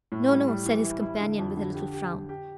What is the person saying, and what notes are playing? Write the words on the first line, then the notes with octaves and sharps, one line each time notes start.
"No, no," said his companion, with a little frown.
A2
G3
G3
E3
E4
E4
D3
F2
D3
G4
G4
G4
G4